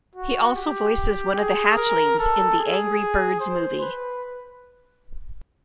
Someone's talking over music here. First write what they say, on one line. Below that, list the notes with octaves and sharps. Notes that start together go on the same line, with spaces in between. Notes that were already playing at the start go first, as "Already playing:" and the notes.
He also voices one of the Hatchlings in "The Angry Birds Movie".
F#4
G4
G#4
A#4
A4
G#4
C5
B4